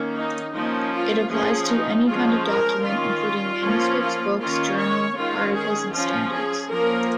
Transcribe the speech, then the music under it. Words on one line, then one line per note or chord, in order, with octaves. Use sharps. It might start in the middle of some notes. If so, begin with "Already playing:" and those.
It applies to any kind of document, including manuscripts, books, journal articles, and standards.
Already playing: D#3 A#3 C#4
D#4
F3 A#3 C#4 D#4
F4
F3 C#4 G#4
D#4
F3 G#3 C#4 F4
A#4
D#3 C#4 F4
F3 A#3 C#4
F4
D#3 A#3 C#4 F4
C#5
D#3 G#3 C#4 F4
G#4
F3 C#4 F4
G#4
F3 A#3 C#4 A#4